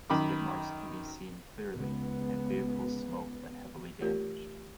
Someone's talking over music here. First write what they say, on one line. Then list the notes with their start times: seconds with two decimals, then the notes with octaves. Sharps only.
Skid marks can be seen clearly, and vehicles smoke when heavily damaged.
0.10 F#2 D#3 B5 D6
1.73 C#2 B3
4.01 E3 A3 F4 G4 A#4 C#5